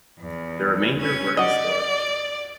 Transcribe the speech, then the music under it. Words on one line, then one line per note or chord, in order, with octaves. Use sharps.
The remainder were in storage.
E2
C#4 B4 G#6
F#4 D5 D#5